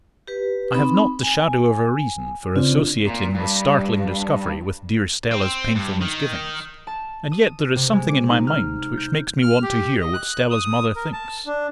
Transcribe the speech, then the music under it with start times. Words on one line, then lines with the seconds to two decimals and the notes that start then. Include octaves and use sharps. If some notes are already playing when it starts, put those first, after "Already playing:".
I have not the shadow of a reason for associating this startling discovery with dear Stella's painful misgivings--and yet there is something in my mind which makes me want to hear what Stella's mother thinks.
0.27 G4 B4
0.72 C4 D#4 B5
1.23 G#5
2.56 C#3 C4 D4 F4
3.07 A#2
3.35 G2
5.32 C4
5.75 G2
6.01 D#3
6.87 A5
7.32 D#6
7.76 C3
7.93 G#3
8.08 D6
8.30 D#4
8.47 F6
8.97 G6
9.42 F6
9.63 G4
10.01 D#5
10.14 F#6
10.50 D#6
10.95 A#4
11.12 A5
11.46 D4